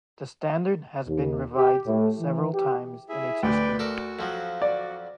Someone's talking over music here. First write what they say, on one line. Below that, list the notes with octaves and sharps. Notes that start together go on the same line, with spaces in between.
The standard has been revised several times in its history.
D#2
G4
A2
E3
G4
E4 G#4 E5
D2 B4 D5 G5
F#4 A4 A#4 D5
F2 F3 F#3
F#4 D5